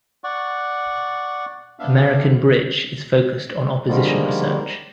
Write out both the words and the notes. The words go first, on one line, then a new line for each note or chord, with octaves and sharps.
American Bridge is focused on opposition research.
D5 F#5 C#6
B3 D4 E5 F5
D3 D#3 F3 G3 G#3 A#3